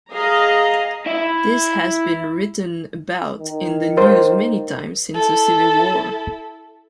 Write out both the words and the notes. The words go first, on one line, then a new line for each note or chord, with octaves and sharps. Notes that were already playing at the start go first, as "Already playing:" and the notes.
This has been written about in the news many times since the Civil War.
G#4 D#5 F5 A#5
E4 E5
D#3
A#4 C5
E4 A4